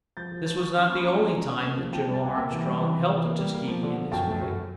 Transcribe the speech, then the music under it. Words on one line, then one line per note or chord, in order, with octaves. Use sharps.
This was not the only time that General Armstrong helped Tuskegee in this way.
F3 G6 A6
F3
F3 G6 A6
F3 C#6 D#6
C#4
A#3 B5 C#6
C#4 A#5 C6
F3
G#5 A#5
C#4
C#4
A#3
F3
C3 G5 A5
G3
G5 A5
C3 F#5 G#5
A#3 G5 A5
E3
G3
E3
C3
E3
A#3
G3
A#3
F3
D3
F3
F#2 G5 A5
A3
F#2